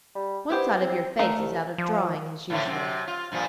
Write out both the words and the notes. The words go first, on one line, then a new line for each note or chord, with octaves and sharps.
One side of your face is out of drawing, as usual.'
G3
B3 E4 G4 C5
C4
D2 A3 A#4 F5
C2
F3
A2 D3 F3
F#2 C3
F4
G2 A#2 F3